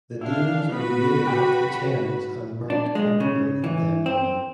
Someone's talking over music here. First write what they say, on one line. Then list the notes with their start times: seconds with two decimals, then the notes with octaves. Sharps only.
The Danes invaded up the Thames and burnt Canterbury and then London.
0.21 D4 E4 F5
0.72 B3 F#4 B4 B5
1.27 G4
2.70 D4
2.95 G#3
3.20 C#3
3.64 E3
4.06 C4